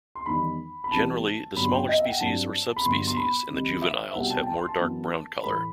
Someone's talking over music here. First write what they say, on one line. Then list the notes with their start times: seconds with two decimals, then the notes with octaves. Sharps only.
Generally the smaller species or subspecies and the juveniles have more dark brown colour.
0.15 C6
0.26 E2 D#3 G3 D#4 B5
0.84 B5
0.91 C2 C3 E3 G3 B3 A5
1.55 G1 G2 F#3 B3 B5
1.65 C6
1.72 G5
1.89 D#5
2.00 E5
2.05 G5
2.10 F#5
2.20 G2 F#3 C4 E4 A5
2.76 B5
2.85 G1 G2 F#3 B3 C6
3.07 C6
3.17 B5
3.50 C2 C3 D#3 G3 D#4
3.82 E5
4.11 E5
4.14 C2 B2 G3 C4 D#4 F#5
4.23 G5
4.30 A5
4.39 G5
4.47 A5
4.58 C6
4.69 A5
4.79 F#2 E3 B3 E4
5.43 A2 E3 A3 B5